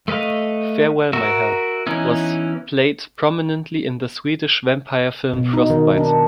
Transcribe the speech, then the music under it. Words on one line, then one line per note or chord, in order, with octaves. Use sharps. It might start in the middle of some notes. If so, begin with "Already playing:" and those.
"Farewell My Hell" was played prominently in the Swedish vampire film Frostbite.
A3 B4 D#5 F5
F#4 A#4 E5
E3 B3 C#4 D#4 E4
B2
D#4
D#3
D4